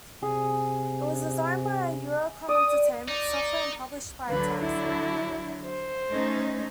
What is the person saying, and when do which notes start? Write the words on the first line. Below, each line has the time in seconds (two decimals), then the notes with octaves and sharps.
It was designed by Eurocom Entertainment Software and published by Taxan.
0.22 C3 G#4
2.49 D5 D#6
3.08 D#4 D5
4.30 D3 F#3 B4
4.61 E4
5.65 C5
6.09 A3 C#4 D#4